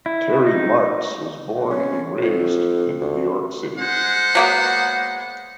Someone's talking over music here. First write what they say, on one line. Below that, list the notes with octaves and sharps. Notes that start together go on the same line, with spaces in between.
Terry Marks was born and raised in New York City.
E4
D#4
C#4
F2
D2
G#3 C5 F#5
F#3 A#3 B3